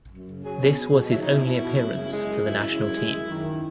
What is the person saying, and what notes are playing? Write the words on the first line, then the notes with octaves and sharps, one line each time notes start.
This was his only appearance for the national team.
F#2
C#3
F#3 G#4
B2
B2
B2
F#3 E4
D#4
B2 E4
B2
B2
F#2
C#3
G#3
F#2
F#2 E4
C#3
F#2
G#3
F#2
D#3